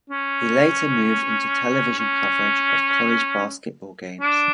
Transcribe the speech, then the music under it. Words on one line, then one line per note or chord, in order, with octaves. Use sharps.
He later moved into television coverage of college basketball games.
C#4
C#4
D4